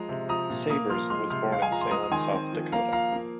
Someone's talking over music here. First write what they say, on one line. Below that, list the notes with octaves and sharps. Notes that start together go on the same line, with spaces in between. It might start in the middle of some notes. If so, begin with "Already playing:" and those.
Sabers was born in Salem, South Dakota.
Already playing: F3 G#3 A#5
C3
F3 A#5 D#6
A#2
A#3 A#5 D#6
F3 C6 F6
G#3 C6 F6
C3 C6 F6
G#3 F5
G#5
F3 A#5
C6
G#3 A#5 D#6
D#6
D#3 G#5 C6
C4
F3
A#3 F5 A#5
F3 F5 A#5
A#3